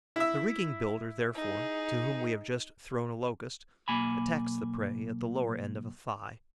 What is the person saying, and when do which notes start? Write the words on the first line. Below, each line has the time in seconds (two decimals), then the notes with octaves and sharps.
The rigging-builder, therefore, to whom we have just thrown a Locust attacks the prey at the lower end of a thigh.
0.16 E4 E5
1.35 D#4 G#4
3.88 B1 A#3 G#5 B5